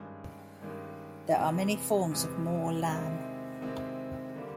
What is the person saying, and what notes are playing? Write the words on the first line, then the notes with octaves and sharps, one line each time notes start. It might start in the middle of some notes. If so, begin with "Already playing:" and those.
There are many forms of "mor lam".
Already playing: G2 D#3 G#3 C#4
G2 D#3 G#3 C#4
E2 C3 E3 G#3 B3
E2 C3 E3 G#3 B3
C3 D#3 G#3 C4 E4
C3 D#3 G#3 C4 E4
D3 G3 A#3